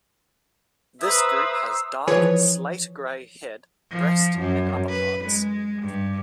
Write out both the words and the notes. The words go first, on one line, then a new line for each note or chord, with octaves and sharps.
This group has dark slate-gray head, breast and upperparts.
B4 C5 E5 A#5 D#6 E6
E3 F3 G#4 B4 C#5
F3
F#2
B4
G#3
G2